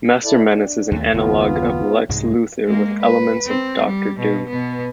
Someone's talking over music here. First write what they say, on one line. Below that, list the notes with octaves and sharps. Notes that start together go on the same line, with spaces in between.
Master Menace is an analogue of Lex Luthor with elements of Doctor Doom.
E4 A4 D5
D4
D#2 A3
F#1 D#2 B3 F4
C2 G#2 G#3
G#3 A#3
B4
C4
G3
B2
B2 B3